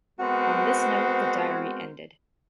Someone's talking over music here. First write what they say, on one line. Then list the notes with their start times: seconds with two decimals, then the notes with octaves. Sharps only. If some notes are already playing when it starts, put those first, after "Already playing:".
On this note the diary ended.
0.20 G#3 B3 C4 F#4 A#4 C5